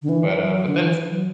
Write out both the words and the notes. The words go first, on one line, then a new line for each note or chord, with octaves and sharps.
M but uh, but then it's
D3
E3
F#3
F#3
D3
E3
F#3